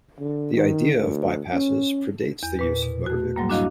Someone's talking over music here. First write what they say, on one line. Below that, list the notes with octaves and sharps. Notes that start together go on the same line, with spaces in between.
The idea of bypasses predates the use of motor vehicles.
D3
D#3
D2
C#4
E2
A#2 B4
B2
A3 F#4
G#2 F#3 G3 A#3
D4 E4 F#4 D#5 F5